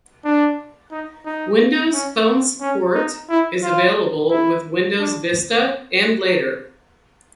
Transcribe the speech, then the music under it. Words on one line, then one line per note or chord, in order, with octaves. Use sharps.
Windows Phone support is available with Windows Vista and later.
D4
D#4
D#4
C#4
C4
C#4
D#4
E4
F4
E4
D4